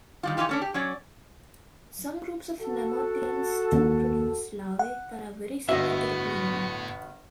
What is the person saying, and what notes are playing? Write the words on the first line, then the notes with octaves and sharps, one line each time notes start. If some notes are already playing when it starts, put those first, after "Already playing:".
Some groups of Nemerteans too produce larvae that are very similar to the planula.
D#3 G3 F4
E3 F3 D#4 F4 G4
A3 C#4 D4
G4
F#3 C#4 C#5 D5
F#4 A4
D#2
F#5
G1 A2 B3 F#4 D#5 E5